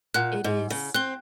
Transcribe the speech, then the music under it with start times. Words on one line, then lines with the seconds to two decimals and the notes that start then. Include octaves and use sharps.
It is
0.14 A#2 F#5 F#6
0.44 G#2
0.70 C#3
0.94 C4 F#6 G7